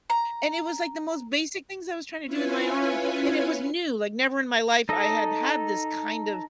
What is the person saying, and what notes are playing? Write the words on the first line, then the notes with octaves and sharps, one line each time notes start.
and it was, like, the most basic things I was trying to do with my arm, and it was new, like, never in my life I had had this, kind of,
A#5
C#4 E4 F4 B4 C#5 G#5
D#4 A4 D#5